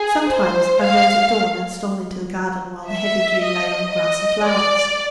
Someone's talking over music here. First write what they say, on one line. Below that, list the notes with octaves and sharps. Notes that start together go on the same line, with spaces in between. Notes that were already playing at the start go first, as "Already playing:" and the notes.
Sometimes I rose at dawn and stole into the garden while the heavy dew lay on the grass and flowers.
Already playing: G#4
C5
F5
E5
D#5
D#5
D5